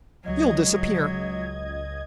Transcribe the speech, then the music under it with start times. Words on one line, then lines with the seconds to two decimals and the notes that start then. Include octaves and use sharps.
You'll disappear.
0.25 C#2 F#3 D#5 G#6